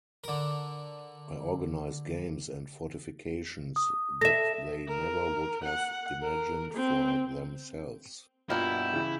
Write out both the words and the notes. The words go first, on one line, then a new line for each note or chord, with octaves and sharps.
I organized games and fortifications that they never would have imagined for themselves.
D3 A#4
D#6
A4 E5 A#6 E7
A#4
F#5
A#4
C4
G2 B2 A#3 B3 E4 F4 F#5 G5
C#3 E3